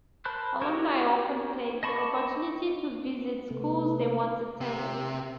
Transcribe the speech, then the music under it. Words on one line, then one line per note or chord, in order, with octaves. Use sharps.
Alumni often take the opportunity to visit schools they once attended.
A#4 C5 A5 B5 F#6
D#4 F#4 G4 A#4 C#5
D#5 A5 B5 C#6 D6
C3 A3 B3
C3